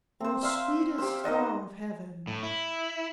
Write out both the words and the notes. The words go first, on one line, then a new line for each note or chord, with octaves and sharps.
O sweetest Star of Heaven!
C4 C5
E5 F5 C6
G4 C5
A#3 D#4 D#5 F#5
A2
E4